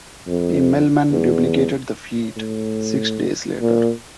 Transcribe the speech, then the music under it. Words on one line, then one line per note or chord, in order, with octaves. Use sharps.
Immelmann duplicated the feat six days later.
F2
E2
A2
A#2